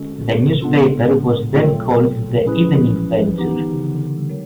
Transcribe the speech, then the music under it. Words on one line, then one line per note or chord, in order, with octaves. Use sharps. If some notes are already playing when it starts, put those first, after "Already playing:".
The newspaper was then called "The Evening Venture".
Already playing: D3 G#3 C#4 F#4 A4
A2
A#2
B2
C3
C#3 G#3 B3 D4 F4 A4
B2
A#2
A2
A#2
A2
B2
A#2 F#3 A3 C4 F4 A4
A#2
C3
B2
B2
A2
B2
A#2
C3
F3 G#3 C#4 E4 G#4 B4
E3
F3
G3
F3
E3 B3 D#4 G4
D#3
D3
C#3
D3
D3
D#3
G3
D#3 F#3 G#3